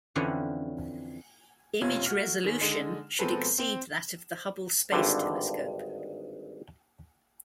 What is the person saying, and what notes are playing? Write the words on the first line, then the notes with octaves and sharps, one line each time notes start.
Image resolution should exceed that of the Hubble Space Telescope.
F2 D3 E3 F3 C#4 E4
F#1 C3 C#4 F4 G#6
A3 F#4 F6
F#2 D#3
D3 G#3 D#4
B2 F3 G#3 C4 A4 B4
C4 C6 E7
G#1 G2 D3